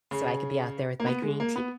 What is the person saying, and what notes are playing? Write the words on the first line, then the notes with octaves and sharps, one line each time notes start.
with, so I could be out there with my green tea.
C#3
A#3
B3
G#3
A#3
B3